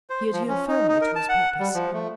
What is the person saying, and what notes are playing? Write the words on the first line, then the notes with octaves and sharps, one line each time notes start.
He adhered firmly to his purpose.
C5
F3
C#4
D#4
D#4
A#4
A5
F#5
G3
F3
A3